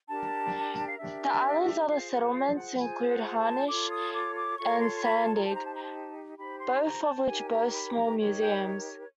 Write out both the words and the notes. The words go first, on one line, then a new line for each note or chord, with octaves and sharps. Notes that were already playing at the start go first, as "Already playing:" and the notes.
The island's other settlements include Hynish and Sandaig, both of which boast small museums.
D4 G4 A#4 A5
F5
D4 G4 A#4 E5
F4 G#4 C5 F5
F#5
F5
F#5
F4 G#4 C5 G#5
F#5
A5
F4 A4 C#5 D6
D#6
D6
D6
F4 A4 C#5 C#6
C6
C6
B5
A5
A#5
D#4 G4 C5 A5
A#5
A5
A#5
A5
D#4 G4 C5 B5
C6
A#5
A5
D#4 G4 A#4 C#5 G#5
A#5
B5
A#5
D#4 G4 A#4 C#5
G5